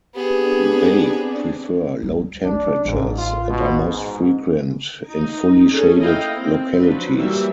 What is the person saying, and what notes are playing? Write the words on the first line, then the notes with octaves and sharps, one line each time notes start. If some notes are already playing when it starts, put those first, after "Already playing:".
They prefer low temperatures and are most frequent in fully shaded localities.
B3 C4 D4 G4 G#4
F#3
F#3 A3 D4
A1 G#2 C#4
F4
B2
G#2
D#4
C#4 G#4 A4
A#3 E4 D#5 F5 G5
C4
F3 F#3 D4 B4
E3 F#3 G3 A#3 G4 E5